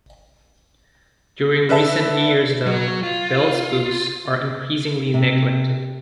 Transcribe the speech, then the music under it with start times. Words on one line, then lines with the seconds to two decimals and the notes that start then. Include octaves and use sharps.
During recent years though, Bell's books are increasingly neglected.
1.69 D3 B4 E5 A5
2.67 F#3
3.03 F4
5.14 C3